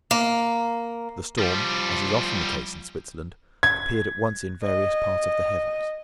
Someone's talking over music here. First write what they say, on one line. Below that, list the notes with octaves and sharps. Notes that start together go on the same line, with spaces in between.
The storm, as is often the case in Switzerland, appeared at once in various parts of the heavens.
A#3
F3 G3
G#6
D#5